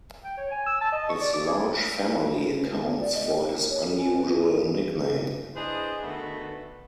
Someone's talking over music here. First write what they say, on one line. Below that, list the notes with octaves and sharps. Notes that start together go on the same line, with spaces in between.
His large family accounts for his unusual nickname.
G5
C#5
G#5
E6
A5
D#5
C#6
D5
D6
G#4
C#4
G#3
B3
D5
D#5
G4
A#4
C#5
A4
G#5
B4
D4 E4 G#4 B4 C5 D#5
D3 D#3 A3 B3 F#4 B4